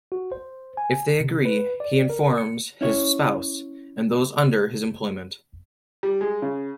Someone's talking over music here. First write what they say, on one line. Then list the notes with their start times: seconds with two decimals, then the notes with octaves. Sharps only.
If they agree, he informs his spouse and those under his employment.
0.12 F#4
0.32 C5
0.77 G#5
1.21 C3
1.45 B4
1.80 D5
2.10 A#4
2.38 C#7
2.81 C#4 E4 C#5
6.03 G3
6.21 G#3
6.42 C#3